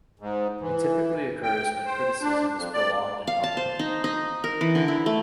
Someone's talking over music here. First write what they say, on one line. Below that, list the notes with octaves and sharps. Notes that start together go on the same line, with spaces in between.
It typically occurs when criticism is prolonged and public.
G#2
E3
G5
C5
D4
F2
D5
F5
A5
C5
D#4
D#4
A#4
E3
D3
E4
A3